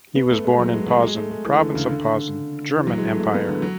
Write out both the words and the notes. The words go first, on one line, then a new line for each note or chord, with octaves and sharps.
He was born in Posen, Province of Posen, German Empire.
B3
A3
G#3
F#3
G#3
F#3
G#3
A3
G#3
E3
D3
C#3
D3
E3
F#3
G#3
A3
A3
B3
D3
F#3